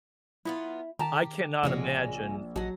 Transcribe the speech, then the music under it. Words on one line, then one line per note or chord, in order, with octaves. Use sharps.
I cannot imagine
F#3 B3 E4 F4
D#3 G4 A5 A#5
A#1 C#3 G#3 C#4 F#4
A#1 F#3 D#4 F#5 A5